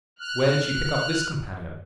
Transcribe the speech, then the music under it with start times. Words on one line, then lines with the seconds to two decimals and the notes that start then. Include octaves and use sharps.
Where did she pick up this companion?
0.19 F6 F#6